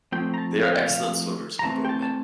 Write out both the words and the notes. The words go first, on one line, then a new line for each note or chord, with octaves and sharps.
They are excellent swimmers and boatmen.
F3 A3 C4 G5
A#5
A5
F5
G5
F5
A#5
E3 A3 C4 A5
G5
A5
A5